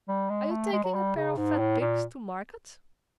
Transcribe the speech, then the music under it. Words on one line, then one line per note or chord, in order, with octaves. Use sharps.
"Are you taking a pair of fat pigs to market?"
G3
G#3
A3
G#3
F#3
G3
C#3
G#2
A2
A#2